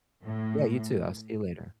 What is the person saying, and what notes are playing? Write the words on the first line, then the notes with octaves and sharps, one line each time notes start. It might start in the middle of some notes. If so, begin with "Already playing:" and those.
Yeah, you too. I'll see you later.
A2